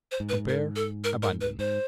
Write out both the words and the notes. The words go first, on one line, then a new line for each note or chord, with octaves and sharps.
Compare ABANDON.
C5
G#2
B4
A#4
A4
A#4
A#4
B4
G#2 C5